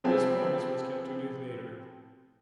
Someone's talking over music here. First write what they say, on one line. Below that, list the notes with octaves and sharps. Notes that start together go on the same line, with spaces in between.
This promise was kept two days later.
C3 F3 B3 C4 G#4 A4